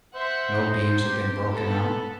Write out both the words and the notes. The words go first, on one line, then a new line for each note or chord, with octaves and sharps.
No beams have been broken out.
C5 E5 F#5
D#4
G4
B3 A4